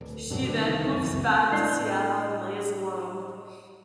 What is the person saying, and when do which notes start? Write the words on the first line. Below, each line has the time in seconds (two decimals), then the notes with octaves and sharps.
She then moves back to Seattle and lays low.
0.01 D1
0.30 G2 B2 F#3
0.44 D3
0.60 C2 D#3
0.89 D#1 F#2
1.03 C#2 F#2 C#3 E3
1.52 A2 D4 D#5 G6 C7